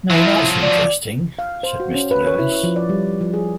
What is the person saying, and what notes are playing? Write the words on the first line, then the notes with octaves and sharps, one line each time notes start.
"Now that's interesting," said Mr. Lewis.
F3 F#3 E4
D5
F5
C5
F#4
C#4
B4
C#5
E4
F3
D5
G3
F3
G#4